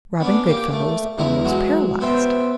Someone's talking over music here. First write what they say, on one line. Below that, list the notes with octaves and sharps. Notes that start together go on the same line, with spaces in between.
Robin Goodfellow was almost paralyzed.
B3 C#4 D4
A#3 G4
A3
E2 G#3 E4 A#5
F#3 G#3 F#4
B3 C5 E5 G5